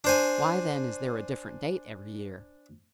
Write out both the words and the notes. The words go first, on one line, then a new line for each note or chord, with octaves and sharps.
Why then is there a different date every year?
D4 C5 G#5